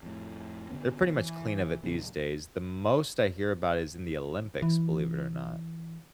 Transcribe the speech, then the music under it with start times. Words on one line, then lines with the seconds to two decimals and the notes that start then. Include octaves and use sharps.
they're pretty much clean of it these days, the most I hear about is in the Olympics, believe it or not.
0.03 F2 A2
0.70 D3 F#3 B3 C#4
1.13 E3
1.83 A#2 C#3 F3 F#3
4.62 E3